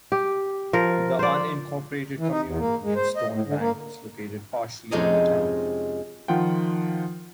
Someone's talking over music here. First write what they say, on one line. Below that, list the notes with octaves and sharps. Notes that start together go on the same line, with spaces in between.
The unincorporated community of Stone Bank is located partially in the town.
G4
F3 A#4
C5 D5
E3
D#4
E2
A#3
G#3
C5
D#5
A2
D3
A#3
F2 C3 G#3 C#4 D#4 D#5
D#3 F3 F4 F#5 G5